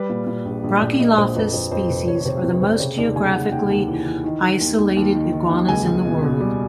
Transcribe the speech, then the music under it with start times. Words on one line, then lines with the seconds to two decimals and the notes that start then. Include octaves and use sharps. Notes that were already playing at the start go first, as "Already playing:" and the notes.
"Brachylophus" species are the most geographically isolated iguanas in the world.
Already playing: G3 B4
0.10 A#2
0.27 A#2
0.46 A#1
0.64 A#1
0.81 A#1 D5
0.99 A#2 D#5
1.17 A#1 C5
1.36 F2 B4
1.53 F2 C5
1.71 F2 C5
1.89 F1 B4
2.08 F2 C#5
2.21 C#5
2.26 C3 C5
2.44 F1 B4
2.62 C3 C5
2.75 D5
2.80 C#3 C#5
2.98 D#2 D5
3.16 C#3 G#5
3.33 D#2 F#5
3.52 D#2 G5
3.70 D#2
3.88 E3
4.06 E3
4.24 D#3
4.42 D#3
4.60 D#2
4.78 D#2
4.97 D#2
5.14 D#3
5.32 D#3
5.50 D#2
5.68 C#2 G#5
5.86 C#2
6.05 B2
6.22 B2
6.40 G3